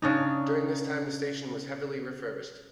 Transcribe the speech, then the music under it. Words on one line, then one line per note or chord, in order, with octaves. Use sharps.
During this time the station was heavily refurbished.
C#3 D4 D#4